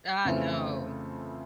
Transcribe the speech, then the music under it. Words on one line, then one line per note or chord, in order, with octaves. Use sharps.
Ah, no.
F2 C#3 E3 A3 C4